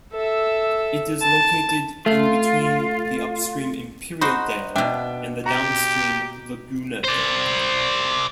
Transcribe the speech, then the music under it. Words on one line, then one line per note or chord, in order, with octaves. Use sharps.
It is located in between the upstream Imperial Dam and the downstream Laguna Dam.
A4 E5
A5
A3 F4
D#4 F#4 C5 B5
B2 D4 E5 G5
G4 A#5
C5 D5